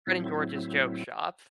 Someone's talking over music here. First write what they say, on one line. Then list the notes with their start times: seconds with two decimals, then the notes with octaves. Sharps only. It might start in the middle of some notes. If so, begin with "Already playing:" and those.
Fred and George's joke shop,
0.07 A2 F#3 C4 E4